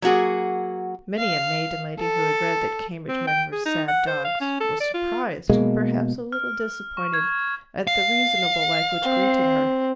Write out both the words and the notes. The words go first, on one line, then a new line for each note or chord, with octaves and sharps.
Many a maiden lady who had read that Cambridge men were sad dogs, was surprised and perhaps a little disappointed at the reasonable life which greeted her.
F#3 A#3 F#4 G#4
F5
A4
C4
G5
G#4
D#4
F#5
C5
F5
C#4
A4
D5
F4
B2 G#3 A#3
F6
C#6
G#6
F5
C4